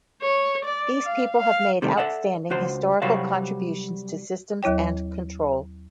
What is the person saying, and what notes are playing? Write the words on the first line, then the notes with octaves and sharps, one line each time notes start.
These people have made outstanding historical contributions to systems and control.
C#5
D5
F5
F5
C3 D#3 G3 A3
A4 A#4 D5 E5 F#5
C#2 F#4 C5
C3 F#3 G3 F#4 C5 F5
D#2 F#3 E4 C#5 G5